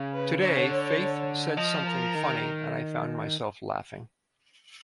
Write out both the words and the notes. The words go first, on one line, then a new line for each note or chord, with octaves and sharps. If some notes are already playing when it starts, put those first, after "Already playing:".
Today Faith said something funny and I found myself laughing.
Already playing: C#3
B4
D3 C#5
C#3
D3
F3 D#5
A#4
D#3